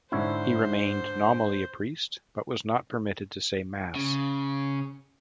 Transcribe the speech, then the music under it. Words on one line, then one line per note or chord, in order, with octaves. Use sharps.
He remained nominally a priest but was not permitted to say Mass.
G#2 D3 E4 C5 C#5
C#3